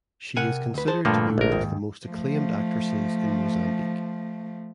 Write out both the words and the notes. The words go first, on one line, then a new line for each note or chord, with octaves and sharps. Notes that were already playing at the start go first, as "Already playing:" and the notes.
She is considered to be one of the most acclaimed actresses in Mozambique.
C3 A#4 F#5 G#5
D2 B4
G#4 C5 A5
G2 A#2 D3 F3 A3 A#3
A#1 A#4
D#2 G#2
F3 A3